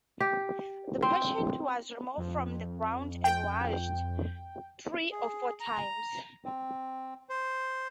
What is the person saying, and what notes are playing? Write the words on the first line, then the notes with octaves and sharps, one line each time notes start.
The patient was removed from the ground and washed three or four times.
G4
C4
F2
G5
G#4
A#5
C4
C5